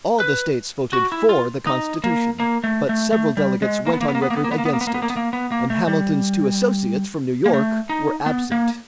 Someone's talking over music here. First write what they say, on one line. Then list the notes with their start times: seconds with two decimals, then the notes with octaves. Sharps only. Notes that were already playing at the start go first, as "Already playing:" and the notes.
All the states voted for the Constitution, but several delegates went on record against it, and Hamilton's two associates from New York were absent.
0.20 B4
0.93 F#4
1.12 E4
1.29 F4
1.67 D#4
2.04 A#3
2.40 A#3
2.64 A3
2.89 A3
3.13 A3
3.37 G3
3.62 G#3
3.87 A#3
3.93 B3
4.01 A#3
4.08 B3
4.15 A#3
4.22 B3
4.30 A#3
4.36 B3
4.44 A#3
4.51 B3
4.58 A#3
4.65 B3
4.73 A#3
4.81 B3
4.87 A#3
4.94 B3
5.02 A#3
5.10 B3
5.17 A#3
5.33 B3
5.52 A#3
5.70 A3
5.88 G3
7.46 A#3
7.53 A3
7.89 D#4
8.26 B3
8.52 A#3